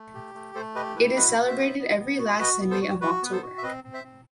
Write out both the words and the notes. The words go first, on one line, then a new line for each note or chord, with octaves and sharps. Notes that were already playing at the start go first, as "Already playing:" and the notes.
It is celebrated every last Sunday of October.
Already playing: A3
G4
A3
A3 A4 C5
G4 B4 D#5
E4 B4
F#4 B4 D#5
F#4
C5 E5
B3
B3
B3
F#4
F#4 B4 D#5
B3
A4 C5
F#4
F#4 B4
B3 B4
A4 C5
F#4
E5
C4 B4 D#5
C4
C5 E5
C4